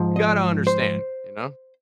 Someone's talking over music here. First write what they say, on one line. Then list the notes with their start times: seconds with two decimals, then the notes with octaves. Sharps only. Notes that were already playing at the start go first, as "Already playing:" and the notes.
you gotta understand," you know?
Already playing: G#2 F3
0.16 D#5
0.67 C5